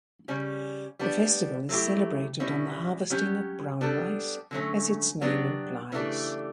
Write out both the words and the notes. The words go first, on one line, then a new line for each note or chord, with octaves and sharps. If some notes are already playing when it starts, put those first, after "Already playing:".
The festival is celebrated on the harvesting of brown rice as its name implies.
C#3 G3 C#4
G3 B3 D4
F#3 A3 E4 G4
B2 G3 C#4 E4
F#3 C#4 G4
G3 B3 D4 A4
D3 F#3 A3 C#4
F#3 B3 D4 G4
C#3 E3 A3 D4 G4